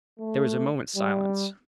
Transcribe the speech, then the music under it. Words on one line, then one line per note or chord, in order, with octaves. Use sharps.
There was a moment's silence.
A3
G3